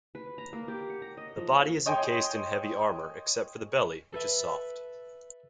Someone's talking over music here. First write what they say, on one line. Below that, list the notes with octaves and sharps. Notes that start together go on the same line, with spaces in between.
The body is encased in heavy armour, except for the belly, which is soft.
B4
A#5
A#3
G4
F#5
A#5
D#5
F3
C#5 D#5 G5 G#5 C6
A4 B4 E5